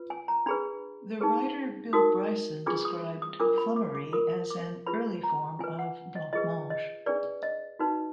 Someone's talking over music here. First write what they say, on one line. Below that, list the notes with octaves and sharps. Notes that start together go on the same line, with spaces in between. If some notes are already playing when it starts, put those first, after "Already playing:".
The writer Bill Bryson described flummery as an early form of blancmange.
Already playing: F4 B4
G#5
A#5
D4 G#4 B4 B5
D#4 G#4 B4
D#4 F#4 A#4 D#6
D4 F4 G#4 B4 D6
D#6
D#6
D4 F4 A#4 D6
B5
D6
D6
F4 A#4 D#6
D6
F4 G#4 B4 B5
A#5
F4 B4 G#5
F#5
D#5
F4 G#4 B4 D#5
D#5
D4 G#4 B4 D5
D#5
D#4 F#4 B4